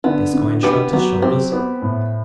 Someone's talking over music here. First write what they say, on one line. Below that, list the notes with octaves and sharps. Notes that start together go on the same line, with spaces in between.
Gascoyne shrugged his shoulders.
D3 B3
D3
B3 G4
F#3 B3
C4 G4
B3
A2